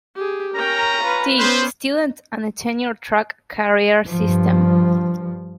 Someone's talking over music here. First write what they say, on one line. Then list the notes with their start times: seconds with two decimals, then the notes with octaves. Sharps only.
D, students and a tenure track carrier system.
0.16 G4 G#4
0.54 C#4 A#4 G5 A#5
1.02 F4 B4
1.37 B3 C#4 B4 C5
4.08 G2 F3